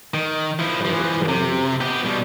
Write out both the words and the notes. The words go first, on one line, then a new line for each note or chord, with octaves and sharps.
Play with her toys.
D#3
F3 E4
E3 F3
C3
B3 G4
B2 G3